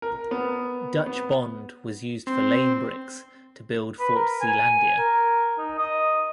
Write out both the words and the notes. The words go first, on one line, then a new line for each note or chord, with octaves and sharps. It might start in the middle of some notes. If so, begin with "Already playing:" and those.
Dutch bond was used for laying bricks to build Fort Zeelandia.
A#4
B3
B3
C4
B4
A#4
G#5
A#4
D#4
D#5